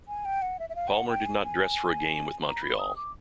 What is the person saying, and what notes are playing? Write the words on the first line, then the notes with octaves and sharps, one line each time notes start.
Palmer did not dress for a game with Montreal.
G#5
G5
F#5
E5
E5
F5
G5
F#5
G5
G#5
G#5
A#5
B5
D#6
D6